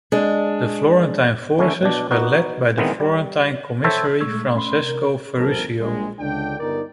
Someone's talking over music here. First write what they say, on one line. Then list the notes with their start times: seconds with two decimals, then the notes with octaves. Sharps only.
The Florentine forces were led by the florentine commissary Francesco Ferruccio.
0.12 G#3 D4
1.59 D3 A3 C#4 E4
1.83 B2 D4
2.11 B3 D#4 F#4
2.78 D#3 E3 G#3 B3 C4
3.00 G3
3.84 A4 C5 C#5 E5 G5
4.20 A#2 G#3 A3 C#6 E6 G#6
4.55 A3 C#4 B5 C6
4.81 C3 A#4
5.36 G1 F2 C4 A4 A#4
5.79 A#1 G3 G#3
6.19 C#2 D3 D4 G5
6.59 G1 D#4 A#4 D5